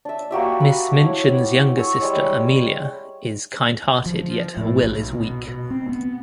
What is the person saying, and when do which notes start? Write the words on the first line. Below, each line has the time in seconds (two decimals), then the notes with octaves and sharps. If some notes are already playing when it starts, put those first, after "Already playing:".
Miss Minchin's younger sister, Amelia, is kindhearted yet her will is weak.
0.05 D4 E5
0.31 A#3 F#4 G4 E5
0.60 B5
1.03 E4 C#5
1.76 G#5 C#6 E6
2.00 G3 G#3 C#5
4.06 F3
4.57 A2
4.83 B1
5.20 B2
5.48 B2
5.70 C4
5.89 B3